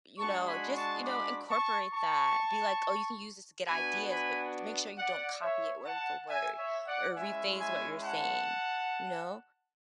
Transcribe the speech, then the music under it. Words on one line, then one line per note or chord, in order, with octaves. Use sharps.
you know just, you know, incorporate that, be like, "Oh, you can use this to get ideas, but j make sure you don't copy it word for word or rephrase what you're saying." You know?
G#3 D4 F#4 A5 C#6
G#5 B5
A5 C#6
B5 D6
A5 C#6
A5 C#6
B3 D4 F#4 G#5 B5
G#5 B5
D5 F#5
C#5 E5
F#5 A5
E5 G#5
C#5 E5
D5 F#5
G#3 C#4 E4 E5 G#5
E5 G#5
F#5 A5